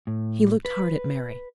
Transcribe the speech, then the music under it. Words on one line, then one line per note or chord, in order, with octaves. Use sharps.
He looked hard at Mary.
A2
B4